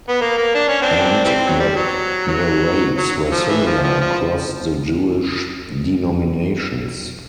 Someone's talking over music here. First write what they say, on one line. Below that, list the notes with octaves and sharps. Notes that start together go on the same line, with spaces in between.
And that the rates were similar across the Jewish denominations.
B3
A#3
A#3
D4
C#4
C4 D4
E3 G3 C4
F#3
G3
F#3
F#3
F#3
F3
E3
F3
F3
F3